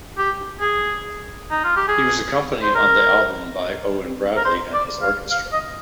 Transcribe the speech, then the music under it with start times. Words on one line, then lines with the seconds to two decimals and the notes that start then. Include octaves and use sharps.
He was accompanied on the album by Owen Bradley and His Orchestra.
0.18 G4
0.60 G#4
1.51 D#4
1.64 F4
1.76 G4
1.88 G#4
2.62 C5
2.74 A#4
4.36 A#4
4.45 C5
4.74 D5
5.02 F5
5.31 F5
5.52 D#5